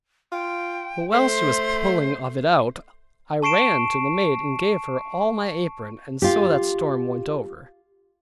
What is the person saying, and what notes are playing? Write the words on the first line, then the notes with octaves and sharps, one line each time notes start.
But while she was pulling of it out I ran to the maid and gave her all my apron, and so that storm went over.
F4 G5
A3 C5
A5 C#6 C7 D7 E7
F4 G4